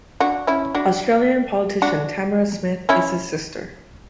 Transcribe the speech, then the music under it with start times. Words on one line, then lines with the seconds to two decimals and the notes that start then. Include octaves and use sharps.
Australian politician Tamara Smith is his sister.
0.20 D4 F#4
0.47 C#4 E4
0.75 D4 F#4
1.82 D4 F#4
2.89 C#4 E4